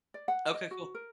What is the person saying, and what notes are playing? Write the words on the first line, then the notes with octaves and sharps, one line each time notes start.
Okay. Cool.
D5
F#5
D#5
F#4
A#4